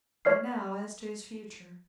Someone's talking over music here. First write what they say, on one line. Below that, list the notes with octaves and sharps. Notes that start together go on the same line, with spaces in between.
And now as to his future.
C#5 D5 F6 C7